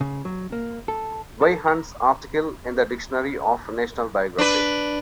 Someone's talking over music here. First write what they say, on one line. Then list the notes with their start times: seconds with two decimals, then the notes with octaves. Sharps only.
W. Hunt's article in the "Dictionary of National Biography".
0.01 C#3
0.25 F#3
0.52 A#3
0.88 A4
1.42 A4
1.68 A#5
4.38 D4 B4